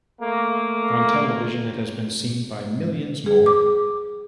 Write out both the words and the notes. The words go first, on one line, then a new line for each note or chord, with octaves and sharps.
On television it has been seen by millions more.
A3 A#3
G#4
D6